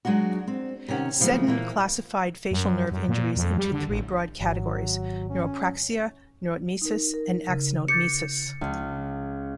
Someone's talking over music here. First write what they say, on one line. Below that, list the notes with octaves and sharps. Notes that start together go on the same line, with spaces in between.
Seddon classified facial nerve injuries into three broad categories: neuropraxia, neurotmesis, and axonotmesis.
F#3 G#3 D4 D#4 F#4
C4
C3 D#3 C#4 F#5
E2 C#3 F3 F#3 A3
A#2 E3 A#3
F#2
F#2
A#2
F2
G3
D3
A1
G#1 F#3
C#4
D#4 A#4
A#4
C#3
D6 G6 A6 C#7
C#2